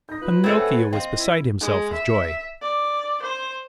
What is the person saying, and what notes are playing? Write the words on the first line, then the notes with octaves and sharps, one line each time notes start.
Pinocchio was beside himself with joy.
D#4 G6 A#6
F4 B4
A3 C4 C#5 G#6 A6 C7
F#5 G#5
C4 D#5 F5 G5
E4
G#3
E5
D5
C5